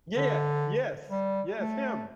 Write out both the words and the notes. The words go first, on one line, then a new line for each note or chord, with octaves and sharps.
Yeah, yeah. Yes. Yes, him.
D3
G3
A3